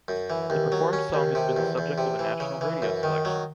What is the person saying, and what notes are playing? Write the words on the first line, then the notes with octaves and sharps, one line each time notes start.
The performed song has been the subject of a national radio selection.
F#2
E3
D#2
F#3
C#4
D#2
C3
E2
E2
C3
E3
C#3
E3
F#2
D#3
F#3